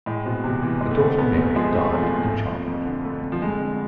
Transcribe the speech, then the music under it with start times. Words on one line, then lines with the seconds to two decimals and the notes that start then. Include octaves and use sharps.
A daughter Mary died in childhood.
0.06 A2 G#3
0.25 B2 C4
0.44 E2 C3
0.62 B2 E3
0.81 G#3
0.91 A3
1.00 C4
1.18 E2 B3
1.37 B2 A3
1.56 F3 G#3
1.74 A3 C4
1.93 E2
2.02 F3
2.12 B2
2.30 A3
2.49 F2
2.67 F2
2.86 D3
3.05 A3
3.23 F2
3.32 F3
3.42 F2 G#3
3.60 D3